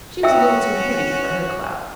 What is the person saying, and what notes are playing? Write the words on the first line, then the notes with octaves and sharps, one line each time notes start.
She was a little too heavy for her cloud.
C#4 F#4 E5 G5 E6